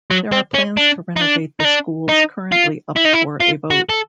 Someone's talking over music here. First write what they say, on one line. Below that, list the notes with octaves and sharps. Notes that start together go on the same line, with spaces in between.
There are plans to renovate the schools currently up for a vote.
F#3
C4
C#4
D4
D#4
D4
D#4
D4
D#4
F4
E4
D#4
E4
F4
F#4
A4